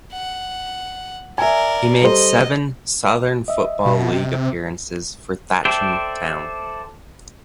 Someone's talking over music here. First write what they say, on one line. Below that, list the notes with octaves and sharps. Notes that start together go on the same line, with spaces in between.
He made seven Southern Football League appearances for Thatcham Town.
F#5
A#4 D5 E5 G#5
G3 A4 C5 D#5
D#5 E5
B2
C3
A4 C5 D5 E5 G5